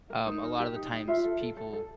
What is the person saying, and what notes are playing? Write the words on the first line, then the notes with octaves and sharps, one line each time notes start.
um, a lot of the times, people
A#4
D#4
A#4
G4
D#4
D#4
F4 E5
A4
A4
A4
A4